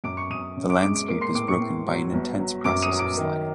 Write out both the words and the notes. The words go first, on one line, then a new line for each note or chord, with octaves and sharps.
The landscape is broken by an intense process of sliding.
F#2 D6 D7
C#6 C#7
F#2 D#6 D#7
C#3
D6 D7
G#3 D6 D7
D6 D7
A#3 D6 D7
C6 C7
A2 D6 D7
C#6 C#7
A2
F#3
G1
F#3
F#2 D6 D7
D#6 D#7
F#3
D6 D7
D#3